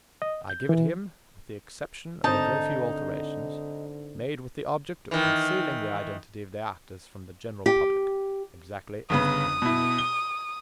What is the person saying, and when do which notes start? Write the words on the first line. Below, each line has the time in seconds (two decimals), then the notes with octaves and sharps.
I give it him, with the exception of a very few alterations, made with the object of concealing the identity of the actors from the general public, exactly as it came to me.
0.22 D#5
0.50 G6
0.69 E3
2.24 G#1 D3 D#4 C5 A5
5.11 D#3 E3
7.66 G4
9.10 G1 C#3 B3 D#6
9.62 B2 E4
9.98 G7